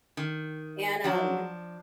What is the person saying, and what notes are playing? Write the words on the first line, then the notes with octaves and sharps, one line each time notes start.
and, um
D#3
F3 F#3 D4